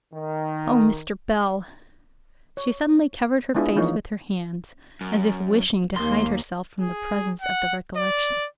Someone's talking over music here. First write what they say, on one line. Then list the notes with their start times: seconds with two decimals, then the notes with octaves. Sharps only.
Oh, Mr. Bell!' She suddenly covered her face with her hands, as if wishing to hide herself from the presence of the recollection.
0.12 D#3
2.57 C#5
3.55 G#3 B3 D4 E4 F4 G#4
3.76 E3 F3 A#3 D#4 F4 C#5
5.01 F#2
5.96 D#2 A#3 C6
6.80 G#4
7.41 F#5
7.96 D5